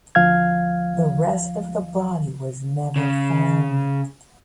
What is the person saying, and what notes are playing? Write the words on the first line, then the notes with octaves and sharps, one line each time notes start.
The rest of the body was never found.
D2 F3 F5 F6 G#6
C#3